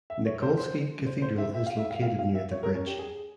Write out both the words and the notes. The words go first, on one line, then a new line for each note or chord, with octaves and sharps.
Nikolsky Cathedral is located near the bridge.
E5
C#5
C5
C5
C5
C5
E5
E5
F5
E5
F5
F5
F5
E5
C#5
A#4
C#4
G4
G#4